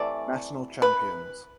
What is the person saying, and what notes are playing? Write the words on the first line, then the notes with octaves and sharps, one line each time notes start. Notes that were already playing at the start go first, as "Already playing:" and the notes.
National Champions.
Already playing: C3 E3 A3 D5
B4